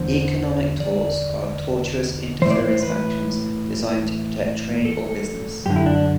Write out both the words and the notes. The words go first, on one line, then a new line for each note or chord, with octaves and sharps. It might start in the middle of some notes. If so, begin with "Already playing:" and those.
Economic torts are tortious interference actions designed to protect trade or business.
Already playing: E2 D3 C5
D5
A2 E3 C5 D5
C5
B4
A4
F#2 D3 G4
E4
D4